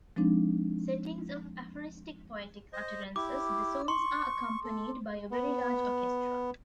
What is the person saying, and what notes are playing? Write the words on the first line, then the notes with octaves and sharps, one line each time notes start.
Settings of aphoristic poetic utterances, the songs are accompanied by a very large orchestra.
F3 G#3 C4 D4 D#4
C5 D#5
E4 G4 D6
C6 C#6
A4
B3